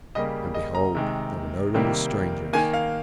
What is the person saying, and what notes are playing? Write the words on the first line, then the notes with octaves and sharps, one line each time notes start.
And behold, they were no longer strangers.
C#3 G3 A#3 D#5
D#5
A#5
C3 D#3 G#3
C3 D#3 G3 A#3
D#3 A#3 G#5
F5